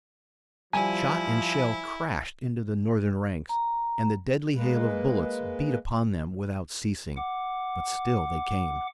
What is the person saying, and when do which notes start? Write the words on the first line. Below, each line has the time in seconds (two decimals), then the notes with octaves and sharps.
Shot and shell crashed into the Northern ranks, and the deadly hail of bullets beat upon them without ceasing. But still they came.
0.73 F3 G3 E4 G#5
3.49 A#5
4.56 G#3 A#3 B4
7.17 F#5 D6